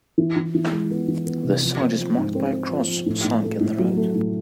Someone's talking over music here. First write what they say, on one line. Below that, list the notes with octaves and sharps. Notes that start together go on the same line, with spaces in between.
The site is marked by a cross sunk in the road.
E3
E3
E3
G#3
B3
E3
B3
C3
F3
C4
F3
G#2
C4
C4
F3
F3
A2
A2
A3
A2
F#3
A3
A2